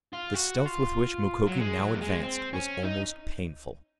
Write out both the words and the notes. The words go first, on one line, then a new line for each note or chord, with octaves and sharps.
The stealth with which Mukoki now advanced was almost painful.
F4
F#4
F4
F#3
G#3
F#3
A#3
G#3
C4
C#4
D#4